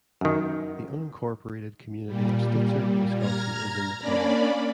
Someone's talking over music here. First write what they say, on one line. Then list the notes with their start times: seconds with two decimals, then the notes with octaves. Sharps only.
The unincorporated community of Stitzer, Wisconsin is in the town.
0.21 F#2 D#3
2.06 A#2 G3
3.18 A#5 F6 G#6 A#6
4.00 A#3 C#4 D4 D5 B5